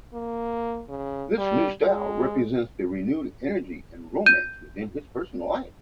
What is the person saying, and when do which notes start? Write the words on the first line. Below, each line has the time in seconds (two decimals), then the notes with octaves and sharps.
This new style represents the renewed energy and romance within his personal life.
0.13 A#3
0.89 C#3
1.38 G3
1.83 G#3
4.26 G6 D#7